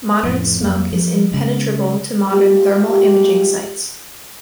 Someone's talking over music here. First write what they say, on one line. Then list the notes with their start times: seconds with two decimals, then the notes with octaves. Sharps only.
Modern smoke is impenetrable to modern thermal imaging sights.
0.23 F2 A2
0.61 F2 F#3 A#3
0.92 F3
1.32 C#3 G#3
2.30 A#2 G#3 F4 G4